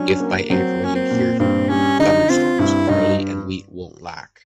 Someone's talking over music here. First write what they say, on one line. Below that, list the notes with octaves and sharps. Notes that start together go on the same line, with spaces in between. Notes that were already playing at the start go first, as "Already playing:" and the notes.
If by April you hear thunderstorms, barley and wheat won’t lack.
Already playing: F#3 C#4 D4
A#3
F#3 C4
A#3 C#4
C4
A#2
G2 C4
G3 C#4
D3 D#4
C4 F4
G2 E4
G2 D#4